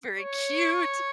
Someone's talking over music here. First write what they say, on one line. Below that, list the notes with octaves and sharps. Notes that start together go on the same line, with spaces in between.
very cute.
C#5